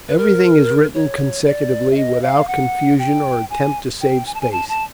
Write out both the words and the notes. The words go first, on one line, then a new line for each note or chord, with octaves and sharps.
Everything is written consecutively, without confusion or attempt to save space.
B4
A#4
C#5
D5
E5
D#5
F5
F#5
G5
G#5
G5
G#5
A5
G#5
A5
A5